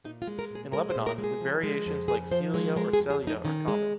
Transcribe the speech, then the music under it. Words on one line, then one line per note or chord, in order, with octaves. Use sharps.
In Lebanon, the variations like Célia or Célya are common.
A#2 D#4
F4
G#3
A#4
A#2 G#4
G#3 A#4
C5
A#2
A#4
G#3
G#4
F3
G#3
F2
C#3 G#4
F3 C5
G#3 C#5
G#3 A#4
G#4
F2
G#4
F2 D#4
D#3 C#4
G#3